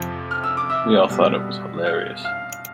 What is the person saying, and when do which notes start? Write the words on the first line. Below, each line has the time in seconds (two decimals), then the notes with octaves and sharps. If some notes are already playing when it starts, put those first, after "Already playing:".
We all thought it was hilarious.
Already playing: F2 C3 F3
0.31 F6
0.44 E6
0.57 D6
0.70 E5 E6
1.09 B2 G3 B3
1.86 F5 F6
2.24 F5 F6